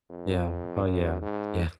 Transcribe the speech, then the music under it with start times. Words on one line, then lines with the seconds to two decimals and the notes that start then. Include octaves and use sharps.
Yeah. Oh, yeah. Yeah.
0.10 F2
0.84 F#2
1.22 G#2